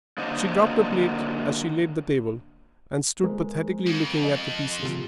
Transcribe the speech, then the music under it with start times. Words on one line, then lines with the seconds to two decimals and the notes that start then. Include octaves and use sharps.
She dropped a plate as she laid the table, and stood pathetically looking at the pieces.
0.18 D3 F#3 A#3 D4 C5 D#5
3.23 G#3 A#4 C5
3.86 F2
4.23 D#5
4.82 C3 F3 D7